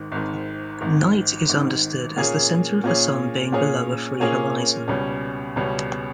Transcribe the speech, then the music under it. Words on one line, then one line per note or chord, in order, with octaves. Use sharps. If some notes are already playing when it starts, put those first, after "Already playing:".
"Night" is understood as the center of the Sun being below a free horizon.
Already playing: G#1 G#2 D#3
G#1 G#2 D#3
G#1 G#2 D#3
G#1 G#2 D#3
A#2 A#3 C#4 G#4 C#5
A#2 A#3 C#4 G#4 C#5
A#2 A#3 C#4 G#4 C#5
A#2 A#3 C#4 G#4 C#5
C#2 B2 G3 C#4
C#2 B2 G3 C#4